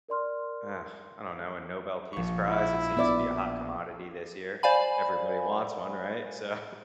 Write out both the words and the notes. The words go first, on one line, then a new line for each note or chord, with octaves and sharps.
Ugh, I don't know, a Nobel Peace Prize. It seems to be a hot commodity this year, everybody wants one, right? So
A#4 D5 C6 F6
A#1 C#6
E4
B3 D5 E5 D6 E6
C5 D5 F5 G#5 B5